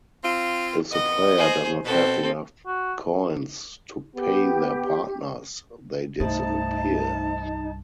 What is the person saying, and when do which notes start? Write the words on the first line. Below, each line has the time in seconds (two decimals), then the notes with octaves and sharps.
If the player does not have enough coins to pay their partners, they disappear.
0.24 C4 F4
0.91 F2 B3 D#5
1.37 G#4 C5
1.85 B2 C4 A4
2.67 F#4
4.15 B3 G4
6.20 C2 G2 A3 D#4 C5 A5 A6